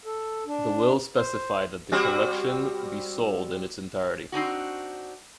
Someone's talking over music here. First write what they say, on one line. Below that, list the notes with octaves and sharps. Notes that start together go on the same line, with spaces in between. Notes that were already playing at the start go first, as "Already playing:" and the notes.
The will specified that the collection be sold in its entirety.
A4
D4
C5
G3 C4 F#4
C4 D4 D#4 F#4